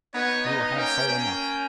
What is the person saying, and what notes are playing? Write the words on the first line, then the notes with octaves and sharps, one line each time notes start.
"We will have salt enough."
B3 D#4 C#5
B3 D#4 D#5
A#3 C#4 G5
B3
A#3 C#4 G5